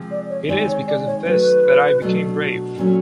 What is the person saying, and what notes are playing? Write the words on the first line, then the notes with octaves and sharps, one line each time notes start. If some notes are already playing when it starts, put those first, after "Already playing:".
It is because of this that I became brave!
Already playing: C3 F3 G#3
D5
C#5
D#3 G#3 C4 D#4 G4 D5
C#5
D5
C#5
D#3 F#3 A3 B4
B2 F#3 A3 D4
A#2 F#3 A3 C#4